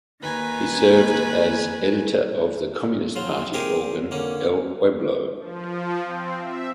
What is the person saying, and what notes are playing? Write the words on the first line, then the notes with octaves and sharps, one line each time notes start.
He served as editor of the Communist Party organ "El Pueblo".
D#2 D#3 B4 G#5 A#5
F3 F#3 F4
C4 G4 G#4 A#4 G#5
D3 A#3 C#4
F3
C4
E5